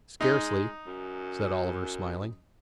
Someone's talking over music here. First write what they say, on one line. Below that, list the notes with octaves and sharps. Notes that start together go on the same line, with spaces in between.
"Scarcely," said Oliver, smiling.
G#3 D#4
F#2